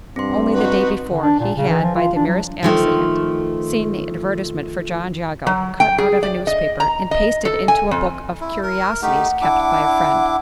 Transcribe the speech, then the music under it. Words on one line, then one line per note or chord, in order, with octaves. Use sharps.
Only the day before, he had, by the merest accident, seen the advertisement for John Jago cut out of a newspaper and pasted into a book of "curiosities" kept by a friend.
G2 C4 C6
D#4 F#4 B4
D3
D4
A#2
C#3
E3
F3
F4
D4
F#3
D#3 F3 A3
F#3
G5
G#4
D5
D#5
A#5
D#5
A4
G#5
F2
E4
A#4
A3 D#4 G4 F#5
D4 E4 D6